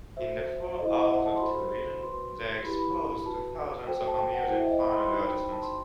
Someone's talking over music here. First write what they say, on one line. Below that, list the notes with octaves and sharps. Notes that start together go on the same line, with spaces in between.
In the four hours of television, they're exposed to thousands of amusing, fun advertisements.
F#4 C5 E5
E4 A4 C5 D#5
D#5
F#5
E5
A5
C6
F#4 A4 C5 B5
F#4 B4 C6
E4 G4 B4 B5
B5
F#4 B4 A5
F#4 A4 C5 G5
G5
A5
G5
F#5
E4 A4 C5 G5
E5
D#5
E5
B5
C6
D#4 F#4 C5 B5
G5
A5
C6